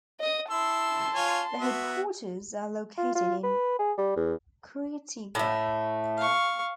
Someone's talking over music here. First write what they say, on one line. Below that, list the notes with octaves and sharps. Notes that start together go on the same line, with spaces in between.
The headquarters are located in Curitiba.
D#5 D#6
E4 A5 C6 E6
F4 C#5 G#5
B3 F#4 E5
F4
F4
B4
G#4
G3
E2
A2 A3
F5 C#6